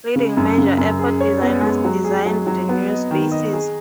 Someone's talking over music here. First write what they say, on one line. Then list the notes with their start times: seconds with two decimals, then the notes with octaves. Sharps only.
Leading major airport designers designed the new spaces.
0.16 C#3
0.37 F#2
0.58 C#3
0.78 F#2
0.99 G#4
1.20 C#5
1.42 B3
1.62 G#3
1.85 F#3
2.04 G#4
2.26 F#3
2.47 F#3
2.69 B3
2.89 D#5
3.11 D#3
3.32 D#5
3.53 G#4